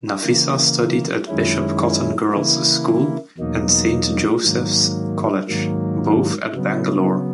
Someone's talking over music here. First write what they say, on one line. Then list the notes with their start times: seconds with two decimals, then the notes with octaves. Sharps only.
Nafisa studied at Bishop Cotton Girls' School and Saint Joseph's College, both at Bangalore.
0.22 C#3 E3 A#3
1.28 F#2 D#3 G#3 C#4 E4
2.33 C#3 E3 A#3 E4
3.38 E2 B2 F#3 A#3 D#4
4.43 G#2 D#3 F#3 A#3
5.49 G#2 D#3 F#3 A#3
6.53 C#3 F#3 B3